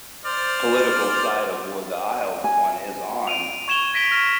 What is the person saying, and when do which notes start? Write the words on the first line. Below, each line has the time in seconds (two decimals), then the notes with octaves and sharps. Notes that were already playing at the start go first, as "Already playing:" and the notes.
political side of what the aisle o one is on,
0.25 C5 D5 F6
2.44 G#5
3.27 D7 D#7 F7
3.68 C#6 G#6 E7 F7 G7
3.93 G#6 A#6 B6 D7 G7
4.12 F6 A#6